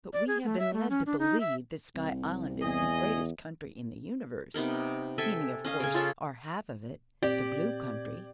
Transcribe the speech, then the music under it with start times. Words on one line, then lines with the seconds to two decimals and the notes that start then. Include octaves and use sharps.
"But we have been led to believe that Sky Island is the greatest country in the universe--meaning, of course, our half of it, the Blue Country."
0.13 D5
0.27 G#4
0.44 A3
0.59 E5
0.73 A3
0.90 C#4
1.06 D4
1.19 D#4
1.40 E5
1.95 C2
2.61 E2 G#4 D#5
4.54 C3 B3 D#4 A#4
5.18 A4 E5 G5 G#5
5.65 C#4 D#5 F5
5.80 C#3 G#5
5.94 F4 A4 C#5
7.23 A#2 C4 G4 D5 G#6